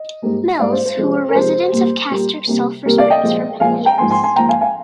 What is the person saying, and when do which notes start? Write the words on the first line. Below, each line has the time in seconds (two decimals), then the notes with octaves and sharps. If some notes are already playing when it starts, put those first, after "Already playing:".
Mills, who were residents of Castor Sulfur Springs for many years.
Already playing: D#5
0.22 G#2 G3 A#3
0.59 G#2 G3 A#3 D5 F5
0.72 C5
0.85 C5
0.97 C3 F3 G#3
1.29 A#4
1.35 C3 F3 G#3 C5
1.72 A#2 G3 A#3
2.10 A#2 G3 A#3
2.47 C3 G3 A#3
2.85 C3 G3 A#3 A#4
2.98 D5 F5
3.10 D#5 G5
3.23 A#2 F3 G#3
3.60 A#2 F3 G#3 F5 G#5
3.85 G5 A#5
3.98 G#2 F3 A#3 G#5 C6
4.10 G#5 C6
4.23 G#5 C6
4.36 G#2 F3 A#3 G5 A#5
4.49 F5 G#5
4.61 F5 G#5